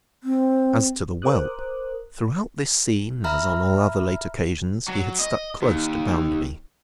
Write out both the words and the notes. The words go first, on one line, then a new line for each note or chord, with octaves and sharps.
As to the whelp; throughout this scene as on all other late occasions, he had stuck close to Bounderby.
C4
A#4 C5 D6 D#6 F#6
E5 A#5 B5 F6
F#3
D#5
D#2